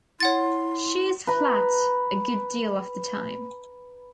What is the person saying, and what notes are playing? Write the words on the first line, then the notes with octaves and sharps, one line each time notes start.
She is flat a good deal of the time.
E4 C#5 F#5 C6 A6
B4 A#5